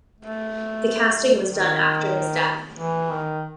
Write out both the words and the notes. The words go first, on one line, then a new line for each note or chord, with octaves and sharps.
The casting was done after his death.
A3
D#3
E3
D#3